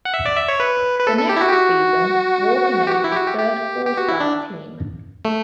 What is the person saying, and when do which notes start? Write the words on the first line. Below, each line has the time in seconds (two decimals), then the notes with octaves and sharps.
The next season, Walker made his third All-Star team.
0.05 F#5
0.14 E5
0.25 D5
0.37 E5
0.48 C#5
0.60 B4
1.00 B4
1.07 A4
1.18 A4
1.29 G4
1.37 E4
1.41 F#4
1.48 G4
1.53 F#4
2.87 G4
2.92 F#4
3.04 E4
3.11 G4
3.16 F#4
3.27 G4
3.39 G4
3.85 G4
3.97 F#4
4.09 E4
4.20 D4
5.25 A3